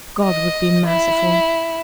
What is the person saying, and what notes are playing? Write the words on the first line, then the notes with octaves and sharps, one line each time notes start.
God would be merciful.
D#5
E4